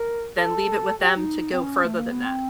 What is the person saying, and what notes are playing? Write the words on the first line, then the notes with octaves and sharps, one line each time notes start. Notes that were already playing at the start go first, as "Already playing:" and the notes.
then leave it with them to go further than that.
Already playing: A#4
A4
G4
D#4
C4
C#4
A3
A#3
B3
C4